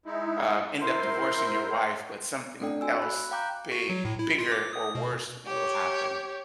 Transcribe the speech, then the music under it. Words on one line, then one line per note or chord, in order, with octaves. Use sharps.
um, end up divorcing your wife, but something else big bigger, or worse will happen.
G#3 D#4 E4
E4 A#4 C5 C6
A3 C4 D4 A4 D5 G5
F#4 G#5 E6
B5 F#6
F5 G5 A#5 D6 F#6 G6
F#4
F#3
A2
E4
F4
D6
D#6
B2
G4 C#5